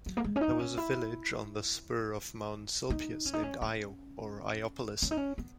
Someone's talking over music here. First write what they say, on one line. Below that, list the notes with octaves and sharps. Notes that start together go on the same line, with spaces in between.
There was a village on the spur of Mount Silpius named Io, or Iopolis.
F#3
A#3
G#3
C#4
D#4
C#4
E4
D#4
C#4
D#4
C#4
C#4
C#4
D#4
C#4
B3